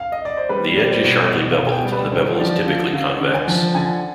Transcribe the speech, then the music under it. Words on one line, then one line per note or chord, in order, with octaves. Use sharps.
The edge is sharply beveled and the bevel is typically convex.
F5
D#5
D5
C5
G3 B4
G3
C5
B2
B2 D#5
F5
B2
G#5
G5
G3
B4
D3 C5
C5
F3 D5
D3 F5
D3 F5
D3
G#5
F3
D3 G#5